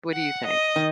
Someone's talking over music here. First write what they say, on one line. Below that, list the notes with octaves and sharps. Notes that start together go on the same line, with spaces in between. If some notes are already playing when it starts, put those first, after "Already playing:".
What do you think?
F#5
D#5
D#3